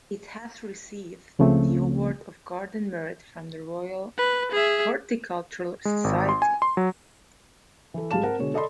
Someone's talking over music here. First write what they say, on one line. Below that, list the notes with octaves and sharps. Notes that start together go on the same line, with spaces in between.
It has received the Award of Garden Merit from the Royal Horticultural Society.
C#2 C#3 F3 A3 C4
B4
G#4 E5
G#3
G#1
C6
G#5
C6
F#3
E3 A4
G#1 G3 G#3 F5 A5 E7
C4 A#4 F#5 A5
B2 D3 G#3 C#5
A4 D5 D#5 A5 B5 C6